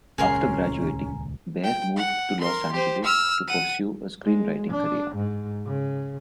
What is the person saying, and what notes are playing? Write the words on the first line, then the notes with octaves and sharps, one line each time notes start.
After graduating, Behr moved to Los Angeles to pursue a screenwriting career.
D#1 C#2 C#4 G#4 A#4 C6
G5
F#5
A#4 C6
G4 C5
E6 F6
F#5 D#7
G#3
D4
G#2
C#3